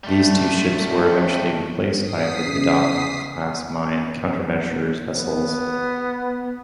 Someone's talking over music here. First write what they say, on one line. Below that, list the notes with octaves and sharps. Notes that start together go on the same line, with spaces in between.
These two ships were eventually replaced by the "Bedok" class mine countermeasures vessels.
G3 A3
D#6 B6 C7
C#3
B3